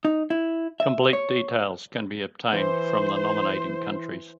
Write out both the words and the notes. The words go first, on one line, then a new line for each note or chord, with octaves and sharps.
Complete details can be obtained from the nominating countries.
D#4
E4
E5
C#5
E3 C5